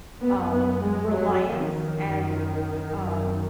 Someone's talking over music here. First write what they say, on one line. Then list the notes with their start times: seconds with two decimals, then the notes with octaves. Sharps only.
um, reliance and, um,
0.22 F#2 B3
0.52 B3
0.81 G#3
1.11 F2 F#3
1.55 D#3
1.99 F#2
2.87 F#2